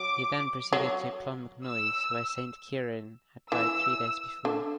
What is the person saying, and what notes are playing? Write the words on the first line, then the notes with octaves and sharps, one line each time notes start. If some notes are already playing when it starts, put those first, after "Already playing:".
He then proceeded to Clonmacnoise, where Saint Cieran had died three days before.
Already playing: F#3 D6
F#3
E6
E3 E6
D3